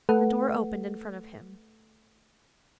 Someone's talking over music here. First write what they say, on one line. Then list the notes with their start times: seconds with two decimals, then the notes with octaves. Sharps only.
And the door opened in front of him.
0.09 A3 A4 B4 F#5